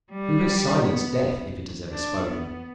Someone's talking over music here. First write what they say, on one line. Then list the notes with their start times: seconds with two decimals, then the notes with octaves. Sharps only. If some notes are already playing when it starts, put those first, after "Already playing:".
Who has silenced death if it has ever spoken?
0.12 G3
0.82 B3
1.90 D4
2.25 B3